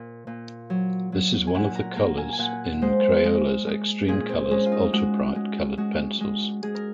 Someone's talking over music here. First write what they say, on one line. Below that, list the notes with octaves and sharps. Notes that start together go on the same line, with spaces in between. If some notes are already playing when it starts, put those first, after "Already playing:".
This is one of the colors in Crayola's eXtreme colors ultra-bright colored pencils.
Already playing: A#2
A#2
F#3
F#3
G#5
A#2 F#5
A#5
A#3 A#5
G#5
G#5
A#2 F#5
G#3 C5
G#3
G#3
A#2 G#4
C4
G#3 C#4
F4
D#4
G#3 F#4
G#3
G#3 F#4
G#3
G#3 G#4
A#4